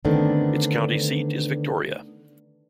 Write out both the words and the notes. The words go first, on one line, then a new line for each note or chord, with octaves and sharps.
Its county seat is Victoria.
D3 D#3 A3 B3 C4 D4